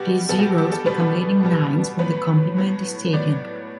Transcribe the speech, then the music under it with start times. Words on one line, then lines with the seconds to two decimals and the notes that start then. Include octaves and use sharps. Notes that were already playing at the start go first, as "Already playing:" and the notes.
These zeros become leading nines when the complement is taken.
Already playing: B2 G3 B3 F#4 G4
0.29 B2 G3 B3 A4
0.39 F#4
0.43 G4
0.58 G4
0.72 A4
0.86 B2 G3 B3 B4
1.43 B2 G3 B3
1.99 A2 F#3 B3 B4
2.56 A2 F#3 B3
3.13 A2 F#3 B3 D5